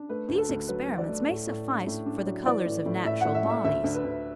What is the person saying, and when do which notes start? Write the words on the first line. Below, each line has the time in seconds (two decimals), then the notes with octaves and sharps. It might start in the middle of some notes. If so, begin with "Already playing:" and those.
These Experiments may suffice for the Colours of Natural Bodies.
Already playing: D4
0.09 A3 B4
0.28 D2
0.38 A4
0.49 D2
0.68 F#3 B4
0.88 F#3
0.98 D5
1.08 A3
1.28 A2
1.47 A2
1.68 D4
1.87 A2
2.06 D4
2.26 F#3
2.46 E3 D5
2.65 A2
2.86 A2
3.05 A2 E5
3.21 A2 F#5
3.34 E5
3.45 A2 E5
3.64 D2 E5
3.84 D2
3.94 B4
4.04 D2